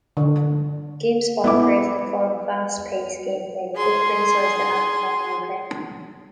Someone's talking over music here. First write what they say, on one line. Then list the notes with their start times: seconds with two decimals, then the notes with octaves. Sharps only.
GameSpot praised the "fun, fast-paced gameplay" but criticized the lack of online play.
0.17 D3
1.44 B3 E4 D6
3.76 G#4 C6